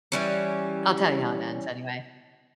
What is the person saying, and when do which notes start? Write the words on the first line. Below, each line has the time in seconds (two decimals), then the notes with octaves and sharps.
I'll tell you how it ends anyway.
0.12 E3 G3 C#4